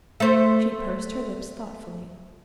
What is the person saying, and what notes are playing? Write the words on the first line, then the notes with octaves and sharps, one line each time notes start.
She pursed her lips thoughtfully.
A3 C5